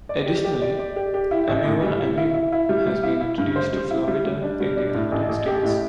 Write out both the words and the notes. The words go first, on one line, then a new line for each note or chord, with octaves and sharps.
Additionally, "Ameiva ameiva" has been introduced to Florida in the United States.
D5
G4
G4
D5
D5
G4
G4
E4
A1
A2
G3
E4
E4
E4
E4
G3
G3
E4
E4
G2
C5
G3
E4
G3
G3
D4
G3
D4
A2
A1
A1
G4
A2